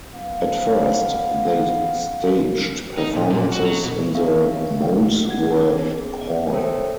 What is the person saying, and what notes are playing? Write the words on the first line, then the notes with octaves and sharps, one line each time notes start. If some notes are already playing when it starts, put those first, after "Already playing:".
At first, they staged performances in the Molesworth Hall.
F#2 B3 F5
D#4
A#2
A#2
F#4
F#3
B2
B3 D4 A#4 E5 F5 C#6
F#5 G#6
B3 C#4 G#4
A4 A#4 C5 C#5 E5 G5